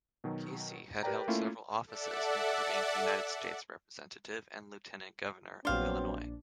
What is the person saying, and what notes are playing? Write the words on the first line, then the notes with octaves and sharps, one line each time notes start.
Casey had held several offices including United States Representative and Lieutenant Governor of Illinois.
B2 D#3 F#3
G4 A#4 B4 D5 G5 A#5
A3 A#3 C#4 E4 F4
A4 D5 E5 F#5
A#1 F#3 B3 C4 D4 C5 F5